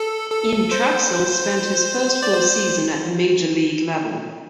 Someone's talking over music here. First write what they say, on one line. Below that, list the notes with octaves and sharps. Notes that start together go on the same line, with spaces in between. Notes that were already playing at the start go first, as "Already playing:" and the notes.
In Trachsel spent his first full season at the Major League level.
Already playing: A4
A4
C5
D5
C5